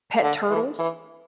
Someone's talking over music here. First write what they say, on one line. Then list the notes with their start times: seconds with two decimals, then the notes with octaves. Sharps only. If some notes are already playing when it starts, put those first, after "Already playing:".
pet turtles
0.23 D3
0.50 E3
0.79 E3